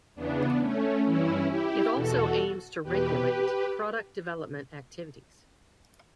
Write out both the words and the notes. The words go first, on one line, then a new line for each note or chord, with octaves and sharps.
It also aims to regulate product development activities.
E2 C#3 E3 B3 D4
A3 C#4
G2 E3 C#4 E4
E4 G4
E2 B2 F#4 A4
E2 B2 G4 B4